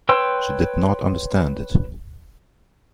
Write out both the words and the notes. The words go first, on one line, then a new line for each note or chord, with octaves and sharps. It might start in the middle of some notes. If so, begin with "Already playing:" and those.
She did not understand it.
B4 C#5 G5 C6 E6